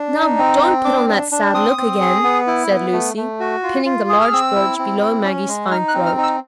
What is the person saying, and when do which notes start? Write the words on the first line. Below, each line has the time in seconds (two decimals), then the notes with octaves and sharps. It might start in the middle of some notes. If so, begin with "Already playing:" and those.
"Now, don't put on that sad look again," said Lucy, pinning the large brooch below Maggie's fine throat.
Already playing: D4
0.16 D#4
0.38 C4
0.61 C4
0.85 D4 D6
1.08 D4
1.32 D4
1.54 C4 D#6
1.78 C4
2.00 G#4
2.24 B3
2.47 E4
2.70 B3
2.93 A3
3.17 A3
3.40 F#4
3.63 F4
3.86 F4
4.09 G#4
4.21 F6
4.32 C4 E6
4.55 E4
4.78 C4
5.02 E4
5.24 C#4
5.48 G#3
5.71 D#4 F6
5.88 F#6
5.94 C4
6.06 F6
6.17 D#4
6.23 E6